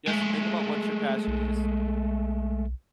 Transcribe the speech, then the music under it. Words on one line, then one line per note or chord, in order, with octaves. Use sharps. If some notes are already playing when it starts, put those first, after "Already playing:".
you have to think about what your passion is,
G#3 A3
B1